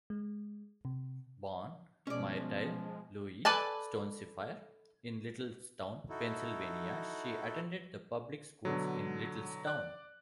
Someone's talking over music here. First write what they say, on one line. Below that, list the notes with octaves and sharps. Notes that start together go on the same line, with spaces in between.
Born Myrtle Louise Stonesifer in Littlestown, Pennsylvania, she attended the public schools in Littlestown.
G#3
C3
B2 F3 G#3 C#4 D5
A4 B4 D5 G#5 A5
D#4 E4 F#4 A4
B2 D3 F#3
D5 F#6